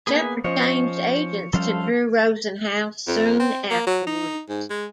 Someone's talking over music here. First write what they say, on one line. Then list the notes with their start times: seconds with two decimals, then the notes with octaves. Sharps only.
Sheppard changed agents to Drew Rosenhaus soon afterwards.
0.07 A#3 B3 G#4 B4 G#5
0.44 F3 C#4 C5 C#5 D#5
1.53 F3 G3 C#4 A4 C5 F5 A5
3.07 F2
3.39 C4
3.70 A#3
3.86 F#3
4.06 D#4
4.49 G#2
4.70 G#3